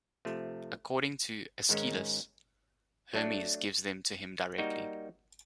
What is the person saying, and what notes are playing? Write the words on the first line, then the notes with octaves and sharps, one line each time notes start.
According to Aeschylus, Hermes gives them to him directly.
C3 F3 A3
G#2 D#3 G#3 C#4
F#3 A3 D4
G3 A#3 D#4 F#4 A#4